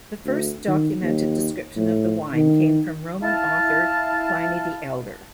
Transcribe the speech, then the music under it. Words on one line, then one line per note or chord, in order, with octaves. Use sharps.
The first documented description of the wine came from Roman author Pliny the Elder.
D2
D#3
D#2
A2
D#3
E4 F5 A5